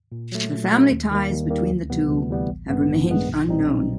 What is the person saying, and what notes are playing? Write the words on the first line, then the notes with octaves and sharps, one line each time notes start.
The family ties between the two have remained unknown.
A#2
F#3 A3
A#2
F#3 A3
D#2
D#3 G3 A#3
D#2
D#3 G3 A#3
D2
C3 E3 G3 B3
D2
C3 E3 G3 B3
A1
G2 D#3 G#3 B3
A1
G2 D#3 G#3 B3
B1
A#2 G3 C4 D#4
B1